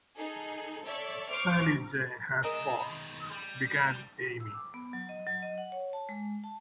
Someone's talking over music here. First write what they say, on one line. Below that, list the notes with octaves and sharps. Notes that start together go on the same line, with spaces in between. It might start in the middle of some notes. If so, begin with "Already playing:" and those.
"Sallie J. has four," began Amy.
D#4 G#4 A4
A4 C#5 D5 E5
C5 C#6 D6 F6
G#3 C4 A#4 D#5 E5
B2 D#3
G3
E6
D6
B3
F#3
D#5
F#3
D#5
F#5
C#5
A5
G#3
A5